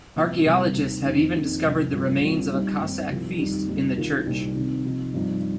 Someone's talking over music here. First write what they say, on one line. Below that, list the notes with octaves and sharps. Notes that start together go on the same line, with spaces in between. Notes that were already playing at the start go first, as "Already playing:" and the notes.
Archaeologists have even discovered the remains of a Cossack feast in the church.
C2 A#2 F3
C2 C3 G3
D#2 D#3 C4
F2 D#3 C4 D#4
F2 D#3 A#3
C2 C3 F3
G2 F3 A#3 F4
C2 C3 G3 C4 F4
A#2 G3 D#4
G2 D#3 C4
C2 C3 F3
F2 D#3 G3 D#4
A#2 G3 C4 D#4
C2 C3 D#3 A#3 F4
C2 A#2 G3 C4 D#4
C3 D#3 C4
C3 F3 D#4
G2 F3 C4 D#4